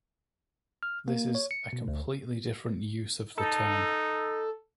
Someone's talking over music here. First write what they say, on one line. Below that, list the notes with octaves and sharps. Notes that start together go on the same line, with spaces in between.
This is a completely different use of the term.
F6
A#3
C#5
C#7
B2
D2
D#4 A4